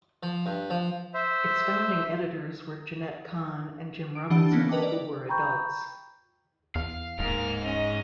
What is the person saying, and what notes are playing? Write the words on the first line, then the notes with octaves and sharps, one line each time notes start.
Its founding editors were Jenette Kahn and Jim Robinson, who were adults.
F3
G2
F3
C5 E5
D7
E3 D4 G4 F#5 A5
A#3 B3 C#4
A#4 B4 D#5 G5 A5 D6
B4 D5
G5 A#5 B5 C#6 G6
E2 F5
D1 G#2 A#3 F6
C#4 D#5